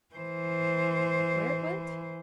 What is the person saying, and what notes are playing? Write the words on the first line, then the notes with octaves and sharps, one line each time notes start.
"Where it went?"
E3 C5